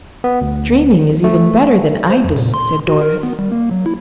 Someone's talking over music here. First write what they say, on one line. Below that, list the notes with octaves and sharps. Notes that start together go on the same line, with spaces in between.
"Dreaming is even better than idling," said Doris.
B3
D2
A3
C5
F2
A#2
C6
F#4
A#4
B3
G3
A#3
F#3
E4